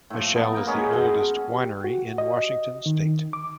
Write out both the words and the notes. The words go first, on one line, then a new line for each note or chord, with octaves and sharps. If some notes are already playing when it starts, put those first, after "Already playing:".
Michelle is the oldest winery in Washington state.
A2 F3
B3 A5
A#3 G5 A#5
G#3 B3 C#4 G#4
F#4 G#4 A4 D#5
G4
F#4
D#5
D#3
D6